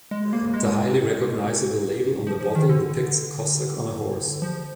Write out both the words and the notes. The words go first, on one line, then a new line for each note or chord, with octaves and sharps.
The highly recognizable label on the bottle depicts a Cossack on a horse.
G#3
A#3
G#3
F3
F3
D#3
D3
F3